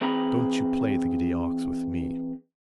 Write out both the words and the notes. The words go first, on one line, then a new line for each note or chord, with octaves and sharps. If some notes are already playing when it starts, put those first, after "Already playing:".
Don't you play the giddy ox with me!
E3 C4 G#4 A#5 B5